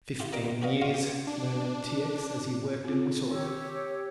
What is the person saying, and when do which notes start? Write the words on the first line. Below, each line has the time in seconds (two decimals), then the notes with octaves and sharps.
"Fifteen years," murmured T. X., as he worked and whistled.
0.20 E4 F4 G4
0.33 C#3 A#4 D5 D#5 D6
0.44 A#2
0.62 C#4 F#4 B4 D5 D#5 F5
0.81 F4 F#4 D5 F5
0.94 G4
1.27 D4
2.84 C4 F4
3.31 D#3 G4 C#5 E6